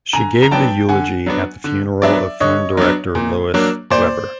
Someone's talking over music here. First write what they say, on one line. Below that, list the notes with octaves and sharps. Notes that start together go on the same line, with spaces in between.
She gave the eulogy at the funeral of film director Lois Weber.
D3 G#5 A#5
A#5
F#3 B3 D4 G5 A5
D3 F#5 G#5
F#3 B3 D4
D3
F#3 B3 D4 D5 E5
D3 C#5 D#5
F#3 B3 D4
A#2
F#3 A#3 D4
A#2 C5 D5